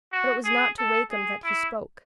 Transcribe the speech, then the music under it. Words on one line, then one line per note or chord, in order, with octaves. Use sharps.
But it was not to Wakem that he spoke.
F#4
G#4
A4
G#4
E4